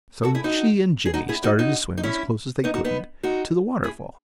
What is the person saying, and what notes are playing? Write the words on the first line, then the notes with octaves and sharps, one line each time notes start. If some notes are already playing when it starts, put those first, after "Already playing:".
So she and Jimmie started to swim as close as they could to the waterfall.
F#4 A4
E4 G#4
D#4 F#4
G#4
D#4 F#4
E4 G#4
D#4 F#4
D#4 F#4
D#4
C#4 E4
B3 D#4
D#4 F#4
B3 D#4
D#4 F#4
E4 G#4